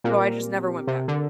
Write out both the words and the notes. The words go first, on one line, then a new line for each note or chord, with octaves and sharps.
so I just never went back.
A#2 C4 G4 A#4
C3
D3